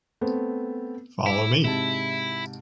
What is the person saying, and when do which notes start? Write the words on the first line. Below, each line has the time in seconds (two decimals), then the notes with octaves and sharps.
Follow me.
0.21 A3 B3 C4
1.26 E4 B5 D6
1.65 G#2 C3 E4 A5